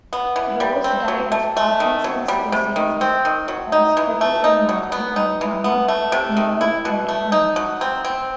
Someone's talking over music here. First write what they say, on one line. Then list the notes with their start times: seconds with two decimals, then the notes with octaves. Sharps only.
Rose died of Parkinson's disease at a hospital in northern Alabama near their home.
0.13 B3
0.36 E3
0.60 G3
0.84 C4
1.08 F#3
1.32 A3
1.57 A3
1.80 D#3
2.04 F#3
2.28 G3
2.52 C3
2.76 D#3
3.01 C4
3.25 D#3
3.48 F#3
3.72 D#4
3.97 E3
4.21 A3
4.44 D#4
4.69 F#3
4.92 B3
5.16 D#4
5.41 E3
5.64 B3
5.88 A3
6.12 C3
6.37 D#3
6.61 E4
6.85 B2
7.08 A3
7.32 D#4
7.56 F#3
7.81 C4
8.05 C4